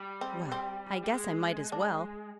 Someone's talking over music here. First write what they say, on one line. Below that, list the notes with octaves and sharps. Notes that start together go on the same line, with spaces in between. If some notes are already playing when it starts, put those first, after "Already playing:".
Well, I guess I might as well.
Already playing: G3
C4
C4
G3
G#3
D4